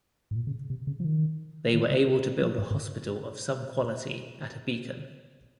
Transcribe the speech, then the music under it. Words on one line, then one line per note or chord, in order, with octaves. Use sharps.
They were able to build a hospital of some quality at a beacon.
G#2
A#2
C#3
C3
C#3
F3
D#3
D#3
C#3
F3
G#2
G#2